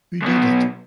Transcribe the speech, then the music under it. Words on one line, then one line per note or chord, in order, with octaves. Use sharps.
Who Did It?
B1 B2